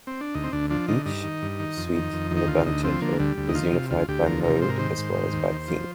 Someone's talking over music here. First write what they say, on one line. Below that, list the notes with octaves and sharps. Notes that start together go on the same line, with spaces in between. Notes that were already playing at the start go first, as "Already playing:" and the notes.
Each suite in the "Banchetto" is unified by mode as well as by theme.
C4
D4
D2 D#4
C4
D2 D4
F3 D4
D3 D#4
G2 D#4
D#3
G2
D#3
F2
D#3
F2
D#3
D#4
D2 F4
D2 D#4
F3 C4
D3 A#3
D2 G3
D2
D#4
D#3 F4
C3
D2 F4
D2 G4
F3 A#4
C3 A#4
G#2 C5
A#4
D#3 C5
G#2
D#3
D#2
D#2
F3